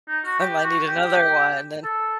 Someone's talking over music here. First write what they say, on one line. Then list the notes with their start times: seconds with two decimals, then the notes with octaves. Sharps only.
I might need another one then."
0.09 D#4
0.25 F#4
0.40 G4
0.64 F#4
0.88 G4
1.84 A4